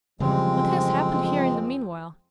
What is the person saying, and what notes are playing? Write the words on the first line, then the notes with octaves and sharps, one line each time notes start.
"What has happened here in the meanwhile?"
F2 C#3 E3 F3 G3 G#3 C4